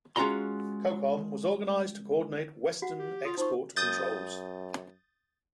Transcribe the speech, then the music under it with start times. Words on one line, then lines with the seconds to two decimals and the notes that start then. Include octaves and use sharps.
CoCom was organized to coordinate Western export controls.
0.16 G#3 C#4 F4 F#4 A#5 C6
2.82 F#4 F#5
2.99 G4
3.25 F4 D#6
3.38 D#4 F4 C5 C#6
3.76 F#2 D#6 G6 A6